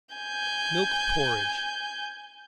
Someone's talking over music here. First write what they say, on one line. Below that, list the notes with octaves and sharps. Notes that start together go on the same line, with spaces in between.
Milk Porridge.
G#5 G6